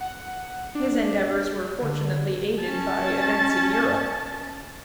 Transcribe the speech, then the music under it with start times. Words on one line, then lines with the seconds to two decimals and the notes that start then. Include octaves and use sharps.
His endeavors were fortunately aided by events in Europe.
0.01 F#5
0.75 D4
1.82 D3
2.61 C#4 A5